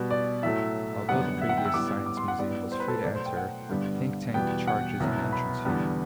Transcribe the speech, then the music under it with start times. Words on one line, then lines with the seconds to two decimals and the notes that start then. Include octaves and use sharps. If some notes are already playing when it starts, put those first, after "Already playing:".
Although the previous science museum was free to enter, Thinktank charges an entrance fee.
Already playing: B2 G3 B3
0.11 D5
0.43 A2 F#3 A3 E5
1.08 F#2 D3 G3 B3 F#5
1.41 E5
1.49 F#5
1.57 G5
1.65 E6
1.74 A2 G3 B3 D6
2.06 D6
2.17 C6
2.28 F#5
2.39 A2 G3 B3 D5
2.72 C5
2.80 B4
2.88 A4
2.96 B4
3.04 B2 F#3 A3 D5
3.15 C5
3.26 G5
3.37 F#5
3.69 G2 D3 G3 B3
4.34 E2 B2 G3 B3 G5
4.68 F#5
5.00 C2 B2 F#3 B3
5.32 B5
5.65 E2 D3 G3 B3